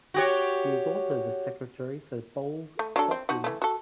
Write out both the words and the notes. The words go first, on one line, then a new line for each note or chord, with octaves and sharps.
She is also the Secretary for Bowls Scotland.
F#4 G4 C#5
A3
F#3 D4 A4
C4
F3 D#4 F#4
E3 A3
F#4 A4